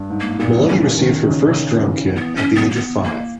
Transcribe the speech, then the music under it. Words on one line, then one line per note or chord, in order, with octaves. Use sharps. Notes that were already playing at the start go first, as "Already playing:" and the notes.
Maloney received her first drum-kit at the age of five.
Already playing: G2
G#2
A#3
G#2
A#2 B3
E3 C#4
D#3
D#3
C#3
C#3
D#3
E3
E3
E3 B3
C#4
B3
A#3
B3
A#3